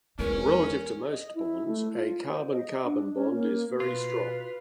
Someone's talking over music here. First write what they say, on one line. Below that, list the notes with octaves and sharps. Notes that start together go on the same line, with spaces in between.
Relative to most bonds, a carbon-carbon bond is very strong.
E2 G#3 C#4 A#4
D#5
E4
A3
F4
C5
D#5
D4
C#4
A#3
B2 F4 B4